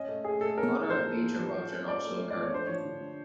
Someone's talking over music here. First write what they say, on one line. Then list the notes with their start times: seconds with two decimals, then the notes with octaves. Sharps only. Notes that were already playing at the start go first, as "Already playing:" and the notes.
Moderate beach erosion also occurred.
Already playing: C#4 D#5
0.09 A3
0.24 A3 G#4
0.41 A3 A4
0.57 C#4 A#4
0.74 A3
0.90 F3 C5
1.06 F3
1.23 F3
1.39 F3
1.55 F3
1.71 C#4
1.87 C#4 D5
2.04 A3
2.19 A3
2.30 D5
2.36 F3
2.43 C#5
2.53 D4 C5
2.67 F3 C#5
2.85 D3
3.01 D4